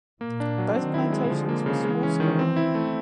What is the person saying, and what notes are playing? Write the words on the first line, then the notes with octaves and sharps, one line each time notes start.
Both plantations were small scale.
A#2 A#3
D4
F#3
D#3 C4
E4
G#3
D3 F3
A#3
C#3
E3 G#3
C#4
D#3
C4
E4
A3